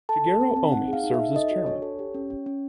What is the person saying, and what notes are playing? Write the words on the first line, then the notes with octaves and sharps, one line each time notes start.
Shigeru Omi serves as chairman.
A4 A5
A4
C4
C4
D#4 F#5
G#4
F5
D#4
E5
D#4
A4 D#5
F#4
D4 C#5
A4
G4
C#4
C#4
C#4